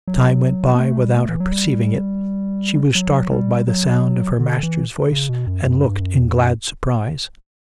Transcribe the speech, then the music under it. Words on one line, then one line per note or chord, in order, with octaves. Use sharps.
Time went by without her perceiving it; she was startled by the sound of her master's voice and looked in glad surprise.
F#3
B3
A3
G3
A3
E3
F#3
G3
F#3
G3
F#3
D3
E3
C#3
B2
F#2
F#2
G2
F#2
E2
F#2